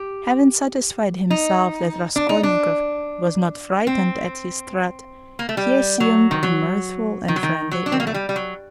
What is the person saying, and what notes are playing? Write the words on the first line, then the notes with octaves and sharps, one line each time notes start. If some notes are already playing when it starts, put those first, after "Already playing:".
Having satisfied himself that Raskolnikov was not frightened at his threat, he assumed a mirthful and friendly air.
Already playing: G4
D#4
D4
D#4
D4
C4
A#3
A3
G3
F#3
D#3
F#3
D#3
F#3
D#3
F#3
D4
C4
A#3
A3
G3
G3
F#3